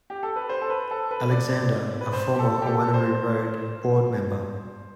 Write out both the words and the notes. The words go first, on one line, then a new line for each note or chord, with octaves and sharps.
Alexander, a former Wanneroo Road Board member.
G4
A4
B4
C5
A4
B4
A4
B4
D5
B4
C5
G4
A4
G4
A4
C5